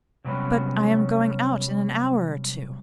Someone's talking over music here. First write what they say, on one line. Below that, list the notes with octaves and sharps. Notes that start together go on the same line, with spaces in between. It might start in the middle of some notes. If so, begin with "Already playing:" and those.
But I am going out in an hour or two.'
C3 F#3 G3 B3 C#4